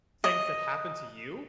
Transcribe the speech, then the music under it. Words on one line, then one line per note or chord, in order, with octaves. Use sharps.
things that happen to you
D#5